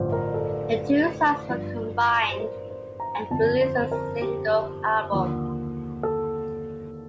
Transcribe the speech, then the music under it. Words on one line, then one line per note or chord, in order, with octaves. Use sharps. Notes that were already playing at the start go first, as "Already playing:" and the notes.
The two sides were combined and released as a single album.
Already playing: A1 G2 D3 F3 C5
A#4
A4
G1 G2 F3
C5
A#4
C5
A#5
G1 F2 D3 A5
C5
A#4
G4
D#2 D3 F3
A4